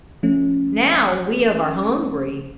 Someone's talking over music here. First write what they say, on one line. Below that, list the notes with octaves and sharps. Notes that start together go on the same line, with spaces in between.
"Now we of are hungry."
F3 A3 C#4